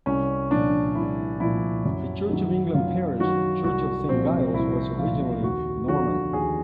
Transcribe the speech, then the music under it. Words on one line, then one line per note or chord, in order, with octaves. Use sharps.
The Church of England parish church of Saint Giles was originally Norman.
C2 C#4
A#2 F3 D4
C2 E4
A#2 F3 E4
F#2
D#3 F#3
F#2 F4
D#3 F#3 F#4
C2 F#4
A#2 F3 C4
C2 E4
A#2 F3 F4
D#2 F#4
D3 F3 F#4
D#2 G#4